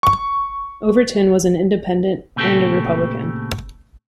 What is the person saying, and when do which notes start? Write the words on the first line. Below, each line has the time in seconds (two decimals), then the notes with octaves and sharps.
Overton was an independent and a republican.
0.03 C#6
2.36 A#2 C#3 A3 C4 G4 A4